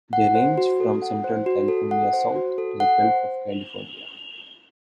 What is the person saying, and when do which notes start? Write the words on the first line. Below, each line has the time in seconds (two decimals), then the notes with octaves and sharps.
They range from central California south to the Gulf of California.
0.13 F#5
0.35 C5
0.58 F#4
0.80 A4
1.02 F#5
1.24 C5
1.46 F#4
1.68 A4
1.91 F#5
2.13 C5
2.36 F#4
2.58 A4
2.80 F#5
3.02 C5